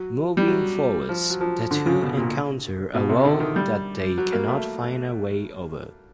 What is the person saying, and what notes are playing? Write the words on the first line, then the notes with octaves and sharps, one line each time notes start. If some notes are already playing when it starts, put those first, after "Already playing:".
Moving forward, the two encounter a wall that they cannot find a way over.
Already playing: F#3
G3
F#3
F3
F#3
F3
D3
C#3
B2
A#2
B2
C3
D3
D#3
G3
F#3
A#3
A3